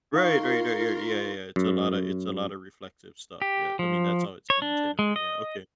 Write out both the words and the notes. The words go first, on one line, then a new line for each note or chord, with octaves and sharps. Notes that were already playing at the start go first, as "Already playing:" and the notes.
Right, right, right. Yeah, yeah, yeah. It's a lotta it's a lotta reflective stuff, yeah. I mean, that's how it seems, anyway. Yeah, okay.
D#4 F4 A#4 F5 C6 C#6
F#2
G4
F3
C#5
D4
G#3
D#5